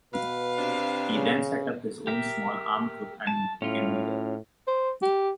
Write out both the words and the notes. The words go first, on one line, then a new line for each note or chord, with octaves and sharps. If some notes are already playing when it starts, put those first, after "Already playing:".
He then set up his own small armed group and became leader.
B2 B4 F5
C3 C4 D4
C#3
G4 A#4 E5
A5
A2 C#4 F4
C5
G4